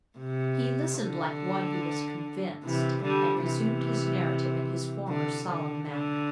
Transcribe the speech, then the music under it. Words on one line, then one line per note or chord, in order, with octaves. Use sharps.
He listened like one who was convinced, and resumed his narrative in his former solemn manner.
C3
D3
C3 E3
D3 G3
C3 E3
D3
D3
D3